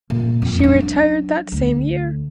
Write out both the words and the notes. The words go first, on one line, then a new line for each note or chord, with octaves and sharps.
She retired that same year.
A#2
F2
F#3 D4
D2